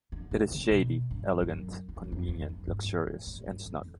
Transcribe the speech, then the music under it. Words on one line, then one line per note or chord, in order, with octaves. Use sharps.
It is shady, elegant, convenient, luxurious, and snug.
D3
D3
C3
B2
G2
F2
F#2
F#2
F2
E2
F2
E2
F2
G2
G#2
A2
A2
G2
F2